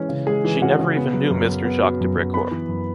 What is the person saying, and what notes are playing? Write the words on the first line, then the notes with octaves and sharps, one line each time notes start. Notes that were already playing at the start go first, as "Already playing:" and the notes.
She never even knew Mr. Jacques de Brécourt.
Already playing: E3 G#3 C#4
C#3
G#3 G#4 G#5
E3
C#4 F#4 F#5
C#3
B3
F#3
F#2
F#2
B3
F#3
F#2
F#2
B3 B4 B5
E3
F#2